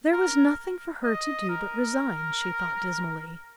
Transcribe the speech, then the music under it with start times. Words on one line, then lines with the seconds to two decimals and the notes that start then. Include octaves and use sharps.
There was nothing for her to do but resign, she thought dismally.
0.12 A#4
1.04 D#5
1.50 A#4